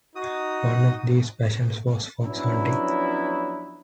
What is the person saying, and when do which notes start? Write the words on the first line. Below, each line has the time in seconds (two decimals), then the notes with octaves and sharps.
One of these passions was fox hunting.
0.15 D#4 F#4 D#6
2.22 F3 F#3 B3 C#4 D4 E4